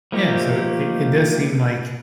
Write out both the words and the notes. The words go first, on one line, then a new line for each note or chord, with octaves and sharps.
Yeah, so it it does seem like,
F3 A3 A#3 D#4 G4